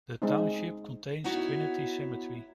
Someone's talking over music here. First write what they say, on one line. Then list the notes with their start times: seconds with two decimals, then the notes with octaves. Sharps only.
The township contains Trinity Cemetery.
0.22 G#3 C4 D#4
1.24 B3 D#4 E4 F#4 C#5